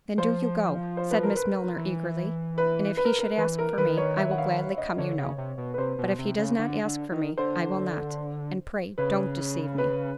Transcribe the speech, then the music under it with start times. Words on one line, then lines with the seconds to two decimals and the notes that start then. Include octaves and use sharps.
"Then do you go," said Miss Milner, eagerly; "and if he should ask for me, I will gladly come, you know; but if he does not ask for me, I will not--and pray don't deceive me."
0.18 F3 C5
0.97 C5
1.11 B4
1.23 A#4
1.36 B4
1.77 E3
2.58 B4
2.97 B4
3.05 A#4
3.19 A#4
3.38 E3 B4
3.59 A#4
3.78 D#3 B4
3.98 C#5
4.17 E5
4.31 F#5
4.38 F5
4.78 D#5
4.98 D3 C#5
5.18 C#3
5.38 C3
5.58 B2
5.74 B4
5.78 C3 C5
5.98 B2
6.19 C3
6.38 C#3
6.59 D3
6.85 D3
7.12 D#3
7.38 D3 C5
8.98 C#3 B4
9.78 B4